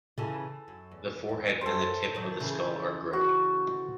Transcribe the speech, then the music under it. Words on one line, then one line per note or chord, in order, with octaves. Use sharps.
The forehead and the tip of the skull are grey.
C#3 E3 A4
F#2
E2
E2
F#2 A4 C5
D#3 F#3
C#3 E3
F#4